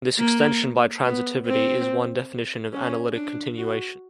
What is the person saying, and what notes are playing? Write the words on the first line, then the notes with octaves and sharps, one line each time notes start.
This extension by transitivity is one definition of analytic continuation.
A#3
B3
C4
C#4
D4
F#4